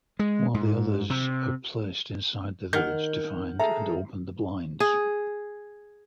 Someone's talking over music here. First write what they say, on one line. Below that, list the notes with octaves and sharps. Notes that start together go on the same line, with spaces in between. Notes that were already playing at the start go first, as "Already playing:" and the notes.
While the others are placed inside the village to find and open the blinds.
G#3
G#2
C3
D#3 F#5 F6 G6
G#4 A4 E5 A#5
G#4